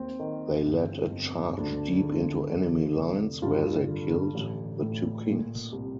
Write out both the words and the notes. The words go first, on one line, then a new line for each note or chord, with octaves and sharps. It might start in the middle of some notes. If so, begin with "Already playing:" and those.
They led a charge deep into enemy lines where they killed the two kings.
Already playing: D#2 C4
D#3
G1
F2
D2 D4
D3
D3
F1
G2 F4
D3
A1
A2
A#2
C2